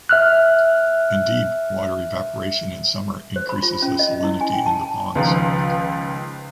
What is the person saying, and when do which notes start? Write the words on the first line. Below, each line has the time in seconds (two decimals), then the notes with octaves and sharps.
Indeed, water evaporation in summer increases the salinity in the ponds.
0.09 E5 F6 F#6
3.36 C5
3.49 B5
3.63 F4
3.82 C#4
3.99 D#5
4.23 E4
4.41 G#5
4.53 G5
4.66 A5
5.15 C#2 D#3 F3 F4 B4 A#5